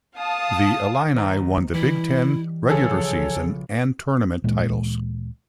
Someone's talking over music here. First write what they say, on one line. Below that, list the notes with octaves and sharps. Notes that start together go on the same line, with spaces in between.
The Illini won the Big Ten regular season and Tournament titles.
F5 A5 D#6
D#2 C5 D#5 A#5
E3 G3 E4 B6
B1 C#3 F3 G#4 A4 C#5
D2 A#2 E3 G#3